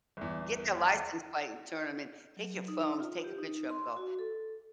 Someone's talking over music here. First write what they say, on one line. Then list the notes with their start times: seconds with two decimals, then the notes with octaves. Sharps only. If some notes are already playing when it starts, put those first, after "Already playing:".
Get their license plate, and turn 'em in, take your phones, take a picture of 'em, go,
0.17 G1 E2
2.37 F#3
2.68 D#4
3.00 F4
3.24 G4
3.39 D#4
3.70 C6
3.97 F#4
4.19 A4